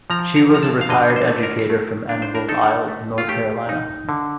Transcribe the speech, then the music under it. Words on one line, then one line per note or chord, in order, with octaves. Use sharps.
She was a retired educator from Emerald Isle, North Carolina.
F3 A#5
A#5
F3 A#5
A5
F5
D3 D#5
C5
A3
A#4
A3
D4
C5
A#4
D#4 A4
A3
F4
A3 G4
D#4
D3